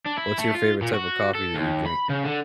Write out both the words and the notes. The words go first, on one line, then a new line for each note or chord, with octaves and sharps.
what's your favorite type of coffee that you drink?
D4
E4
A3
F4
A#2
F#4
A4
D#2
B5
C#3
D3